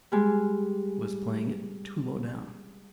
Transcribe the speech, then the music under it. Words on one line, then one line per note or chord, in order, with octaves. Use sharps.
It was playing it too low down.
G3 G#3